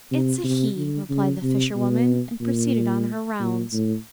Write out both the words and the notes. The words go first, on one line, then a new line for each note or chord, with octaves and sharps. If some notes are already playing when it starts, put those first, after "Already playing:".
"It's a he," replied the fisherwoman, and proceeded on her rounds.
C3
C3
D3
C#3
C3
B2
A#2
A#2
A2